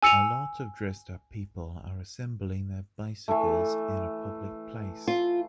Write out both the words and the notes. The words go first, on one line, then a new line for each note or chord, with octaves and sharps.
A lot of dressed-up people are assembling their bicycles in a public place.
G#5 E6 C#7 D#7 F7
E3 A3
F4